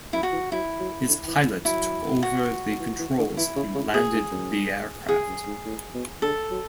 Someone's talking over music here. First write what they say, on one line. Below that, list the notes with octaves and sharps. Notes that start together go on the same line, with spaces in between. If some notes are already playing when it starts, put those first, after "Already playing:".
His pilot took over the controls and landed the aircraft.
F#2 E4
F#4
E3
F#3 E4
F#3
D3
E3
F#3 E4
F#4
E3
E3
D3
E3 E4
C#3
C#3
B2 G#4
G#2
F#2
E2 G#4
F#2
G#2
A2
B2
D3 A4
F#3